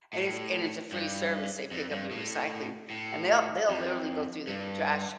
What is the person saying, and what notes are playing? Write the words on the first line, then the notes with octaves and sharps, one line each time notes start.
and it's and it's a free service. They pick up your recycling, and they'll they'll literally go through the trash,
A2
G2
F2
G2
A2
A2
F2
G2